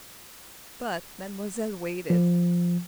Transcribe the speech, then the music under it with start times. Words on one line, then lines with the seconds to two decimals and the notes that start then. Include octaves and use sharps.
But Mademoiselle waited.
2.10 F3